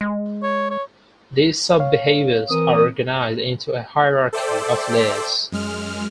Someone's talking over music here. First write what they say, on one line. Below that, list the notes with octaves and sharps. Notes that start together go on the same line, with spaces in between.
These sub-behaviors are organized into a hierarchy of layers.
G#3
C#5
C#5
C#5 F5
E3 C4 A#4 D#6
A4 C5 D5 E5 G5
F#2 G#3 F6